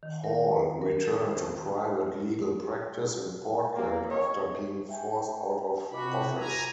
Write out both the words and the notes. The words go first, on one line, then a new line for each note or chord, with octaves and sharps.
Hall returned to private legal practice in Portland after being forced out of office.
D#3
A#4
A#5
A#4
A4
C5
A#3
C#5
E5 G5 G#5
C3 F4 F#4 D#5 B5 D6
G#5 A#5